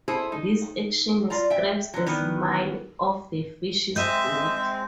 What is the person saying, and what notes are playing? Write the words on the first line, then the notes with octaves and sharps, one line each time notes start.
This action scrapes the slime off the fish's body.
E4 G#4 A4 C5
D#4
F4 D5 A#5
E5 G5
D3 F#3
D#3 E3 B3
G#3 C4 D#5 E5 G6